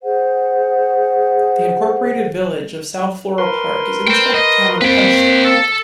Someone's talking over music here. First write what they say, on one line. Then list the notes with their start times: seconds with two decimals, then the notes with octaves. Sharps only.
The Incorporated Village of South Floral Park is inside the Town of Hempstead.
0.03 G#4 C5 F#5
3.38 A#4 B4 C6
4.08 C5 G5
4.34 D#5
4.81 A#3 C4 B4 G5
5.44 A4